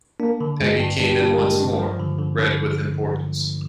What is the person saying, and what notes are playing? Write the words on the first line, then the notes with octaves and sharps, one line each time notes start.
Peggy came in once more, red with importance.
A#3 D4
D3
G2 G#3
G2
G3 D4
D4
G#3
G2
F3
D3
D3
D3